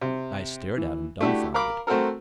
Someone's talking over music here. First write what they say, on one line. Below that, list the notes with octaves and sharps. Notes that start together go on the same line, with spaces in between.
I stared at him dumfounded.
C3
E3
A3 D4 E4 F#4 G4
A#4 F5 B5 D6
A3 C4 F#4 A4 A#4